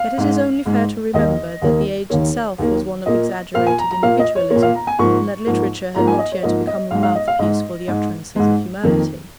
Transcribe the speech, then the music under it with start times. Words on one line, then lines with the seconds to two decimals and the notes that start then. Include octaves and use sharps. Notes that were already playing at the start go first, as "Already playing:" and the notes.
Yet it is only fair to remember that the age itself was one of exaggerated individualism and that literature had not yet become a mouthpiece for the utterances of humanity.
Already playing: F5
0.18 G#2 G#3
0.66 G#2 G#3
1.14 D#2 D#3 A#3 D#5
1.62 D#2 D#3 A#3
2.10 D#2 D#3 A#3 C#5
2.58 D#2 D#3 A#3
3.06 A#2 A#3 D#5
3.54 A#2 A#3 F5
3.67 G#5
3.79 A#5
3.91 A#5
4.03 A#2 A#3 F5
4.19 D#5
4.35 C#5
4.50 A#3 C#5
4.56 A#2
4.63 F5
4.75 A#5
4.87 G#5
4.99 G#2 F3 A#3 C#6
5.46 G#2 F3 A#3
5.95 G#2 F3 A#3 A#5
6.07 G#5
6.19 D#5
6.32 C#5
6.43 G#2 F3 A#3 D#5
6.67 D#5
6.91 G#2 G#3 F5
7.03 F5
7.15 D#5
7.28 F5
7.39 G#2 G#3 D#5
7.88 G#2 G#3
8.36 G#2 G#3
8.83 F2 D#3 A#3